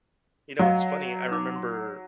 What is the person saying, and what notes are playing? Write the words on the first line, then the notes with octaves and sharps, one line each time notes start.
You know, it's funny, I remember
F#3 D#5 F5 C6
D#4 D6
C6